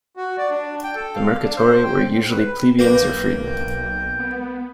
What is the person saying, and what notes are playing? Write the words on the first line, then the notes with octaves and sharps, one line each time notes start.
The mercatores were usually plebeians or freedmen.
F#4
D5
D4
G5
A4
F5
D4
C5
G5
G#2
B4
B1 A#3 B4 G5 D6
B3